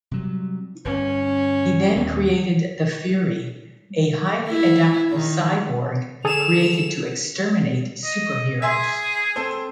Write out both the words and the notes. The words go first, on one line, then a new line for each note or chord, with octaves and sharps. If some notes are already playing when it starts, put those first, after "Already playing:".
He then created The Fury, a highly adaptable cyborg created to exterminate superheroes.
C3 F#3 G3
G1 C#4
D#2 A#2 D#3
E4
D#3
D3 G#4 A4 E7 F7
D#5
G#4 E5 G#5 C6
C4 A4 C5